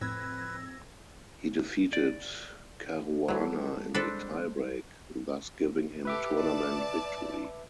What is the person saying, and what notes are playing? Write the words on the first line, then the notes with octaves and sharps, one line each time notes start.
He defeated Caruana in the tiebreak, thus giving him tournament victory.
F2 A2 B4 E6 G#6 A#6
D5
E3 F#3 G3 A4
G#3 D4 A4 B4 C5
G4 A4 B4 E5 D6
D5 A5